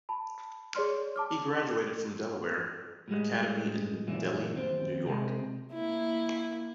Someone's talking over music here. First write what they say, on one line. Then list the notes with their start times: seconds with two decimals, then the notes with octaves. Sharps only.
He graduated from Delaware Academy in Delhi, New York.
0.09 A5 B5
0.75 G#4 C#5 D5 C6 F6
1.16 A5 D6 F6
3.08 A2 G3 G#3
4.07 F#2 A#2 E3
4.54 D#2 C4
5.06 C3 G#3
5.73 A#3 E4